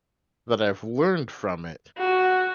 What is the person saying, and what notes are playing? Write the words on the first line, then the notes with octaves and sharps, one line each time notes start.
that I've learned from it,
F#4